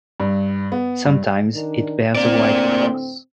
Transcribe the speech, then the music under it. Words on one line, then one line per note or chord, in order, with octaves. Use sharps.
Sometimes it bears a white cross.
G2
B3
G2
D#3 D4
A2 D3 A#3 C4 D5